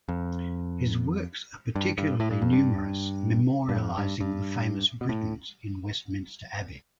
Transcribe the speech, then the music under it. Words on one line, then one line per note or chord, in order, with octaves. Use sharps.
His works are particularly numerous memorialising the famous Britons in Westminster Abbey.
F2
G2
G2
A2
G2
F2
G2
G2
F2
G2
G2
B2
A2